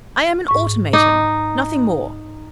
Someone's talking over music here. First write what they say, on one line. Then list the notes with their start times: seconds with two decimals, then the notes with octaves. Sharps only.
'I am an automaton--nothing more.
0.48 G#2 C#6
0.93 D#4 D6